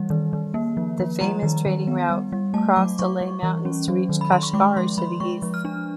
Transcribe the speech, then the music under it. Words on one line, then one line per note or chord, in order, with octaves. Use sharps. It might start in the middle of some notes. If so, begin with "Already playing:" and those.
The famous trading route crossed Alay Mountains to reach Kashgar to the east.
Already playing: E3 G3
D#3
D#3
A#3
F3
F3
G3 A#5
D#3
D#3
B3
G3
G3
A3 A5
F#3 D6
F#3 C#6
G3
E3
C#4
F#3
D#3
B5
D#3 C6
C#6
G#3 D6
F3 C6
F3 B5
G#3 C#6
F3
F6
D4